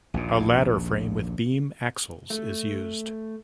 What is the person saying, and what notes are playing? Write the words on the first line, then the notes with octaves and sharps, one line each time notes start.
A ladder frame with beam axles is used.
A#1 D#2 A#2
A3